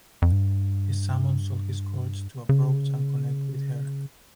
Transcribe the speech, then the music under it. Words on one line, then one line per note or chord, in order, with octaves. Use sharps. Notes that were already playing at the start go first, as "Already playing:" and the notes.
He summons all his courage to approach and connect with her.
F2
G2
C#3